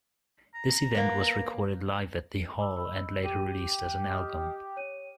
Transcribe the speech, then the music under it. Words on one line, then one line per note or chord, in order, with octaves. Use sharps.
This event was recorded live at the hall, and later released as an album.
A#5
A#3 B3
B5 D6 E6
D#5 B5 E6
G4 D#7
D#5 D#6 F6
C#5 G5 D#7